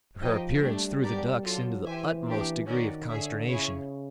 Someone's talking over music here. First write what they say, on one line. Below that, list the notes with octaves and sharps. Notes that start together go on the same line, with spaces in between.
But her appearance threw the ducks into the utmost degree of consternation.
F3 D#4 G4 C5 D#5 G5
G3 A3 D4 G4
B3 D4 G4 A#4 D5
F#3 D4 F4 A4
E3 G4 C5 E5 G#5
A#3 D4 G4
D#3 C#4 F#4 A#4 D5
D3 G#4 C#5 E5
C#3 C#4 E4 G#4 C#5